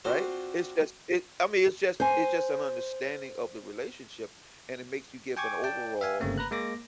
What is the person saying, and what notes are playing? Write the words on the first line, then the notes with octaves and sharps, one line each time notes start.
Right? It's just, it I mean, it's just it's just an understanding of the relationship, and it makes you give an overall
C4 D4 F4 F#4 C5
C5 G#5
G5 G#5 C#6 D6 G#6
D5 G5 A5
E5 F5 G#5
G1 C#3 A3 A#3 C4
B4 A#5 F#6
G#3 A#3 D6 A#6